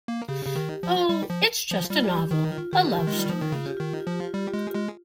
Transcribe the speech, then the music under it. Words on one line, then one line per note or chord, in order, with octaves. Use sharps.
Oh, it's just a novel, a love story.
A#3
C#3 G4
C#3
D#3
F3
G3
F3
F3
G3 F4
G4
D#3 D#4
F4
D#3 G4
G4
G#3
F4
G3
F3 D#4
D#3
C#3 F4
G4
D#3 F4
G4
F4
F3
G4
F4
G3 G4
F4
G#3 G4
F4
G#3